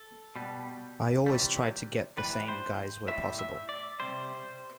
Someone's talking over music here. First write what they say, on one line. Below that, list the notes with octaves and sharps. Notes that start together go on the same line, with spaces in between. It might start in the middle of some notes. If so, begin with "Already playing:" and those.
I always tried to get the same guys where possible.
Already playing: A4
B2 G3
C3 E3 G3
A2 E3 G3 B4
C5
A2 G3 E5
E5
D5
C3 G3 C5